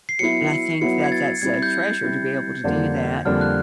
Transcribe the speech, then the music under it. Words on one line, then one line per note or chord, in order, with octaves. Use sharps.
and I think that that's a treasure to be able to do that.
C7
F#3 B3 E4 C#7
F#3 B3 E4 C#7
G#6
A6
G3 C4 E4 G#6
G6
G3 C4 E4
F2 D3 G3 A#3 D4
F2 D3 G3 A#3 D4 F6
F#6